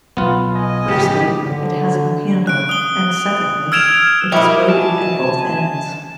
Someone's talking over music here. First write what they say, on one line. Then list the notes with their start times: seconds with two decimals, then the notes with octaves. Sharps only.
Firstly, it has no handle and secondly it is weighted at both ends.
0.17 B1 B3 F4
0.54 D#5 G#5
0.88 A2 C#3 F3 G4
1.44 D3
2.47 F#6 D7
2.69 D#6 G7
3.72 E6 F6 G#6 D7 E7 F7
4.32 G3 E4 F#4 A#4 D#5
4.70 G#5 A5